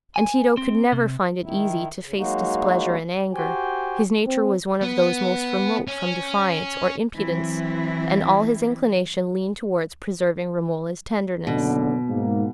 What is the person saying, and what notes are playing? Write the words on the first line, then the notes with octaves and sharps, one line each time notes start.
And Tito could never find it easy to face displeasure and anger; his nature was one of those most remote from defiance or impudence, and all his inclinations leaned towards preserving Romola's tenderness.
G#5
C4
C3
D#3 E4
C#3
F#3 G#3 A#3 D#4 F#4
F#4 G4 C5 G5 G#5
C4
B3
C#4
E3 F#3 C4 E4
F#1 B2 D3
G#2 A#3